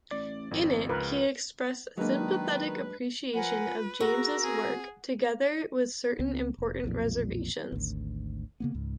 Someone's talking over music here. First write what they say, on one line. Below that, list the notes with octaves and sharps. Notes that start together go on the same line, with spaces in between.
In it, he expressed sympathetic appreciation of James's work, together with certain important reservations.
A1 D5
G#1 F2
C#2 F3 A#4 B4
D#3 F#3 G#3 A#3 D4 B4
F3 A#4 B4 F#5 G#5
F4
F#4 G#4 A#4 A#5 E6
C4 G#4
C#2 B3 C4
F1
B1 F2 A#2
G#1 D2
C#3 A#3 B3
C#2 G#2